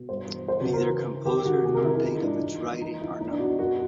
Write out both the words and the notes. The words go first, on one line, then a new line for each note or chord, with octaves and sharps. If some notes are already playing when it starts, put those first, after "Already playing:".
Neither composer nor date of its writing are known.
Already playing: B2
G2 C5
E3
E3 C5
F#4
C#3
A#4
E3
E3
D#3 G4
D#3 F#4
C3 G#4
A#4
D#3 E4
E4
F3 D#4
G#2 D4
E3 D#4
E3
F3 D#4
F3 E4
E2 D#4
D4
B2 F#4
F#2 F#4